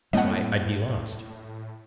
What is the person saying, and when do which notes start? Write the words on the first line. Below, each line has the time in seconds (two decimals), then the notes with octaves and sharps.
Why, I'd be lost.
0.13 A2 G3 A#3 C4 D#5 F#5